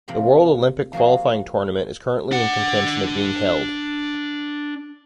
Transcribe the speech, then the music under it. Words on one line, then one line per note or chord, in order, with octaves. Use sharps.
The World Olympic Qualifying Tournament is currently in contention of being held.
C3 F3 A#3 C4 B5
F3 A#3 F#4 G#4
D4 F#5